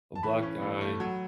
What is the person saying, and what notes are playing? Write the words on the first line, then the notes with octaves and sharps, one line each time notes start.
a black guy
A5
E3 B5
C#4
A2
A3
F#3